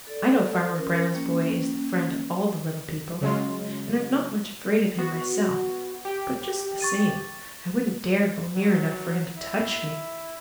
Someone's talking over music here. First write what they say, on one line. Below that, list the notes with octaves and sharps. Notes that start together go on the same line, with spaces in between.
"I know Farmer Brown's boy is the friend of all the little people, and I'm not much afraid of him myself, but just the same I wouldn't dare go near enough for him to touch me."
A4 D5
C#4 A#4
G3 A#3 C#4
C#3 F#3 G#3 F4
B3 F#4
G4
C#6 A6 D#7
F#3
E4